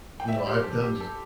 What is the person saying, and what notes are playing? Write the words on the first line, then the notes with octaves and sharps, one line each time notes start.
you know, I've done j
G5
E5
D5
G4 C5
A4
G4
A4